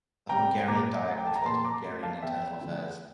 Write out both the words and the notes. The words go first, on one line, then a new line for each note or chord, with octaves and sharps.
The Hungarian Diet controlled Hungarian internal affairs.
C3 G3 G5 A#5
A#2 A#5 D6
A3
G5
A5
A#5
A#2 A5 C6
A#5 D6
A3
F5 A5
E2 E5 G5
D3 F3 A3